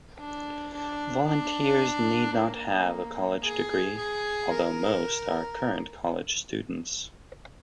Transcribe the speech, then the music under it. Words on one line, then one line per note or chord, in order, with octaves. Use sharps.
Volunteers need not have a college degree, although most are current college students.
D4
D4
D4
A#3
G#4
G#4
A#4